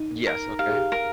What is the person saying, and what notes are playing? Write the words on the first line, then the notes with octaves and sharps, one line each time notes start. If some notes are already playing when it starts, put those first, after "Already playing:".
Yes, okay.
Already playing: D#4
A#4
G4 F5
G#4
G4
A#4